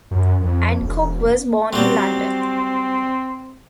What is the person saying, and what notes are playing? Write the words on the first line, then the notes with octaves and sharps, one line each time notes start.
Adcock was born in London.
F#2
F2
E1
F#3 G3 C4